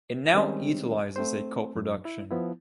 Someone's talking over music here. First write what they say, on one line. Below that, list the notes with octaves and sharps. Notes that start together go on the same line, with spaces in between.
It now utilizes a co-production.
D#3 G3 G#3 C4 C#4 D#4
A3 C4 C5
F#2
E4
F3 B3 E4